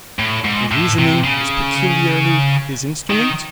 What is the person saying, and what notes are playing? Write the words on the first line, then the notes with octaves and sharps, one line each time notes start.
And reasoning is peculiarly his instrument?
A2
G#2
A2
C3
C#3
D#3